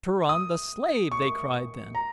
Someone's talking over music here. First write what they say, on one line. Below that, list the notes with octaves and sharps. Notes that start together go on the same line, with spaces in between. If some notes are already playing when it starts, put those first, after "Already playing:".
"Turan the slave," they cried then.
D#6
C#6
A#5